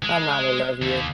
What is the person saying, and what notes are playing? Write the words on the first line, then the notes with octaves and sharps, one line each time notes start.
My mom will love you.
G#3
D#2